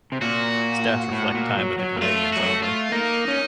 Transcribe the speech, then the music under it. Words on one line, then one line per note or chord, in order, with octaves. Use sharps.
Stats reflect time with the Canadiens only.
C3
A#2 F#4
A2
A#2
F#3
F#3
A#3
A3 F4
F#3 F#4
A3
F4
A#3 D#4
C#4